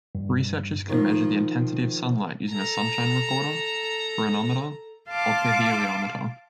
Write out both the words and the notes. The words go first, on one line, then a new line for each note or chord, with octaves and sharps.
Researchers can measure the intensity of sunlight using a sunshine recorder, pyranometer, or pyrheliometer.
G2
D#3 F3
A4 A#5
F5 A5 C6 D6